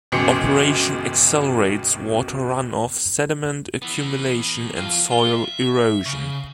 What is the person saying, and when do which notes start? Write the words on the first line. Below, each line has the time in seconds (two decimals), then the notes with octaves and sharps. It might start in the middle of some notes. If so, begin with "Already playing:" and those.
Operation accelerates water run-off, sediment accumulation and soil erosion.
0.12 G1 C#2 B2 E3 C6 C#7
3.82 E3 B3
4.76 F2 F4
5.11 F4
5.34 E5
6.05 C#3